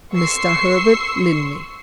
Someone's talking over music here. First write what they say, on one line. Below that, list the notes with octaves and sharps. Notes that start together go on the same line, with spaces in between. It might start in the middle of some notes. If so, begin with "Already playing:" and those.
Mr. Herbert Linley.
C6 C#6 E6 C7